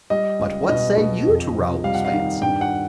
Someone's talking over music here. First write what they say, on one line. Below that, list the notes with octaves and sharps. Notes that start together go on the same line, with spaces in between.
"But what say you to Raoul's fancy?"
G3 D#5
C#2
B2 D#5
B2
F2
C3
G3 F5
F#5
F5
D#3
G2 G5
F#5